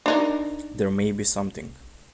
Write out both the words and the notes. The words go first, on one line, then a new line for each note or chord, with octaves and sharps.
There may be something.
D4 D#4 A#4